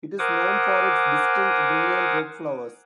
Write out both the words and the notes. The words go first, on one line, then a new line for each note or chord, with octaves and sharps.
It is known for its distinct brilliant red flowers.
A#4 C5 F#5 G#5 D6 D#6